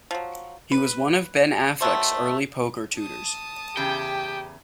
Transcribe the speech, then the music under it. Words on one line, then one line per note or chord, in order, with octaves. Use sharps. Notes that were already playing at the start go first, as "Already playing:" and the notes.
He was one of Ben Affleck's early poker tutors.
F3 F#3
B4
D#3 F#3 A3 C5
A5 D#6
E2 C#3 G4 G5